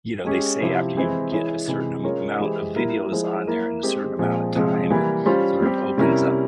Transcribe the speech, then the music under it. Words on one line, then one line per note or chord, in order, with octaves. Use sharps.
you know, they say after you get a certain am amount of videos on there in a certain amount of time, it sort of opens up.
G#3 C#4 G4
C3 F3 C4 E4 G4
E3 G#3 C4 E4
E3 G#3 E4 G#4 C#5
C3 E3 G#3
G#3 C#4 F4 A#4 C#5
E3 G#3 E4 G4 C5
G3 A#3 E4 A#4
F3 G#3 E4 G#4 C5
A#3 E4 A#4
G#3 C4 G4
A#2 F3 G#3 C4
C3 F3 G#3 C4
E3 G3 A#3 E4
G3 C#4 F4 C5
G3 C4 G4
C3 G3 C#4 E4 A#4